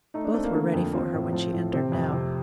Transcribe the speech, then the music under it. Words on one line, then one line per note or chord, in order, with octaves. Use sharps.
Both were ready for her when she entered now.
A3 D#4
D4
A3 C4
A#3
D3
F2
F3 C4
A2
F3
A2
C3 C4
F2
C3